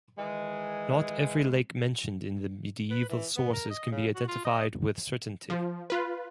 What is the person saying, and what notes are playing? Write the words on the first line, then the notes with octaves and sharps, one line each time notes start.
Not every lake mentioned in medieval sources can be identified with certainty.
D#3 E3 G#3
B4
E3
B3
A#4
D#5
C#3
F#4
F4
D#5
F3
F4 B4